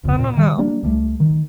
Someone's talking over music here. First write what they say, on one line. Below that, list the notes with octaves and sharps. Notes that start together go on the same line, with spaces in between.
I don't know.
D1 F2 C#3
A#2
D#3 G3
G3 A#3 D4
C#2 G3 A3
D#3